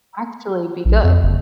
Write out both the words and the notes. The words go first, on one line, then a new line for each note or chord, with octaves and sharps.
actually be good.
A#1
F2
F#1